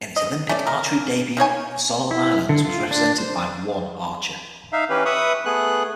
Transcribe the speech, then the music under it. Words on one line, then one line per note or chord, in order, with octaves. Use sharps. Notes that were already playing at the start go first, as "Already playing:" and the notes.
In its Olympic archery debut, the Solomon Islands was represented by one archer.
D#5
A3 C#4 D5
A#4
D#3 A#3 C#5 G#5
E4
D3
F4
D4
C5
D#4 E5 F5
E3 C#4 G4 B4
B4 E5 B5 C#6 D#6
A3 B3 G#4 F#6